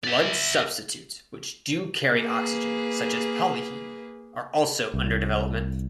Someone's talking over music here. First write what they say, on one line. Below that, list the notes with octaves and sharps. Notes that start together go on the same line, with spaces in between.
Blood substitutes which do carry oxygen, such as PolyHeme, are also under development.
D5 E5
A#3 G#4 B4
C2